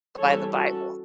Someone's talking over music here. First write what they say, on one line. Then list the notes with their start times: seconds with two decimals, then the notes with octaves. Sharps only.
by the Bible.
0.20 E3 G3 C#4 A4 C#5
0.53 F#4 A4